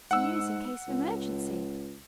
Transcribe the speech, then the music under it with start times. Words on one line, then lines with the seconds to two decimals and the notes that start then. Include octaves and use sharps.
"To use in case of emergency."
0.11 G#2 F#5 E6
0.88 C#2